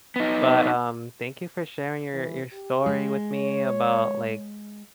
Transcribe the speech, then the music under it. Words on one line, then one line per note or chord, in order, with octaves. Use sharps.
But, um, thank you for sharing your your story with me about, like,
B3 D#4
E3
G4
G#3
C#5